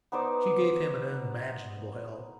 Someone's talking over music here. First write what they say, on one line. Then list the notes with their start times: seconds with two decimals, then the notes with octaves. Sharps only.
She gave him an unimaginable hell.
0.12 B3 D#4 C5 D5